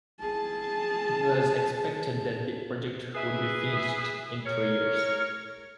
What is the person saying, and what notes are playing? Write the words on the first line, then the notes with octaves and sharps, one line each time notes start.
It was expected that the project would be finished in three years.
G#4 A5
E4 G#4 B4 E5
A#4 C#5